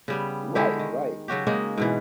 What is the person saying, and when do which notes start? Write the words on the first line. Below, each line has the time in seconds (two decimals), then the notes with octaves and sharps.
Right, right.
0.08 C#3 G3 B3
0.55 D3 G#3 E4 G4
0.79 D#3
1.28 C#3 F#3 F#4 G4
1.47 C#3 G#3 A#3 D#4
1.78 G#2 B2 E3